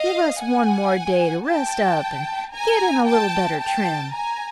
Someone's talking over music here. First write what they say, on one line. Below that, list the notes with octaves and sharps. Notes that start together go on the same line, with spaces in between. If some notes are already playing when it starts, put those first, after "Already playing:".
Give us one more day to rest up and get in a little better trim.
Already playing: D#5 F5
F#5 G#5
G5 A5
G#5 A#5
G5 A5
G5 A5
G#5 A#5